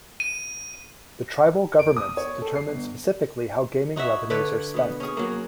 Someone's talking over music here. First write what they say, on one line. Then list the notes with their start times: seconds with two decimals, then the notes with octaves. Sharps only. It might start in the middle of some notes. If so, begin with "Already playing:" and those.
The tribal governments determine specifically how gaming revenues are spent.
0.20 D#7
1.79 D7
1.97 D#6
2.17 C#5
2.42 A4
2.55 C7
2.67 G1
3.96 D#4 F#4 C#5 E5
4.30 D3 B4 C#5 D5
4.74 B2 B3
5.00 C#4 G#4
5.17 F#3 A#3